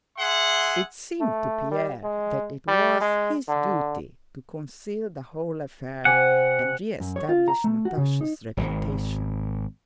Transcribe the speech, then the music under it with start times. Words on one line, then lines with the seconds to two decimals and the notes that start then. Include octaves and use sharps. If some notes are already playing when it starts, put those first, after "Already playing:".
It seemed to Pierre that it was his duty to conceal the whole affair and re-establish Natasha's reputation.
0.18 G#4 E5 F#5 C6
1.21 A3
1.71 G3
2.03 G#3
2.68 G3
3.01 G#3
3.49 D3
6.05 C3 F#5 G#5 D6
7.00 F#2
7.16 C#5
7.29 F4
7.48 A#5
7.64 A3
7.85 F#4
7.97 C#3
8.21 D#4
8.57 D#1 G#1